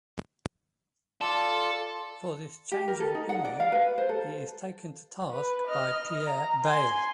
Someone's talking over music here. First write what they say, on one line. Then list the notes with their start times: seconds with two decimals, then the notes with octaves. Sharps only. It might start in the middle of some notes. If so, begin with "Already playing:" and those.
For this change of opinion he is taken to task by Pierre Bayle.
1.21 F4 A4 D5 A5
2.72 G4
2.88 A#4
3.00 A4
3.15 D#4
3.29 F#5
3.45 D5
3.60 F5
3.72 B4
3.98 C5
4.09 A4
5.31 B4
5.67 D#5 F6
6.28 A#5
6.64 G#5 C6